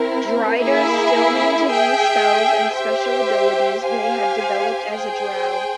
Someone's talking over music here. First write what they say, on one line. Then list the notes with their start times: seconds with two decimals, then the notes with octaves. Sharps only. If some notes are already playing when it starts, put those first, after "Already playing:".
Driders still maintain the spells and special abilities they had developed as a drow.
Already playing: C4 E4 A#4
0.59 A#3 E4 G#4 E5
1.68 G#4 E5 G5
2.75 G4 C5 E5 G5
3.84 G4 C5 F5 G#5
4.91 G#4 C5 G5